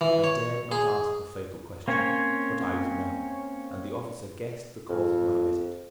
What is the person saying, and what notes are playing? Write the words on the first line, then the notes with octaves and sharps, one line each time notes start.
I dared not ask the fatal question, but I was known, and the officer guessed the cause of my visit.
E3
C#5
G#4
A#3 C4 C#4 C#5
F2